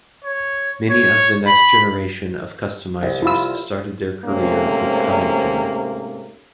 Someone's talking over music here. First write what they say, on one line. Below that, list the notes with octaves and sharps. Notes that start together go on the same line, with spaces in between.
Many of the next generation of customizers started their career with Coddington.
C#5
C#5
B5
C2
E4 F4 E6
G#2 C3 A3 A#3 C#4